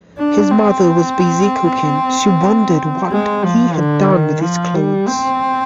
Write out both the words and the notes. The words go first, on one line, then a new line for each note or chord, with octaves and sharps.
His mother was busy cooking; she wondered what he had done with his clothes.
D4
C4
G#3
F3
D3
D#3
F3
G3
C4